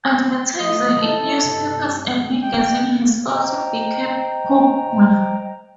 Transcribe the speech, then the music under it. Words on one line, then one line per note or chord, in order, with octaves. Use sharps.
Advertising in newspapers and magazines has also become popular.
F3 A3 F4 D#5
E4 A4 D#5
G2 C3
G#3 G5
C5 D#5 G5 A#5